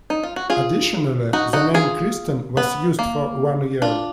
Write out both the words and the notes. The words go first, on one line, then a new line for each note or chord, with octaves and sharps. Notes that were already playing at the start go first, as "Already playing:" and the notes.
Additionally, the name Kristen was used for one year.
D#4
F4
F#4
F4 G#4
D#4 F#4
D#4 F#4
F4 G#4
B3
A#3
D4 F4